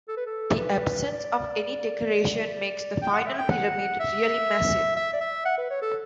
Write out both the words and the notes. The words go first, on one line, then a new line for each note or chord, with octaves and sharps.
The absence of any decoration makes the final pyramid really massive.
A4
B4
A4
B4
D5
G5
F#5
E5
G5
F#5
E5
E5
D5
E5
F#5
B4
C#5
A4